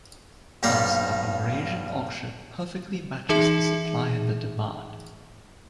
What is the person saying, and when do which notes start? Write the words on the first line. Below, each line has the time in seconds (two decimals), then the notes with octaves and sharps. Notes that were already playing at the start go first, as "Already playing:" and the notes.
Thus, a Walrasian auction perfectly matches the supply and the demand.
0.63 B1 G2 G3 A#3 D5
3.29 E3 D#4 G#4 E5